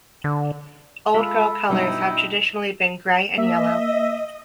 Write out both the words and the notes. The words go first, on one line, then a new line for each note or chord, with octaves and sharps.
Old Girl colors have traditionally been grey and yellow.
D3
G#3 F4 A4 E5 B5
G2 B2 D#4 E4 G5
A#3 D#5 E5